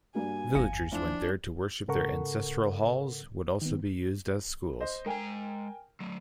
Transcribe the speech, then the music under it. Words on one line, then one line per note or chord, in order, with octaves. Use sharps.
Villagers went there to worship their ancestral halls would also be used as schools.
G2 A#3 F#4 G#5
G1 E2 F5 A#6 C#7
F3 D4 E4
G#2 C#3 A4 A#4 F#5 C#6
D#3 B3
C5 D#5
G#3 A#4 G5 G#5 A#5
F#3 A3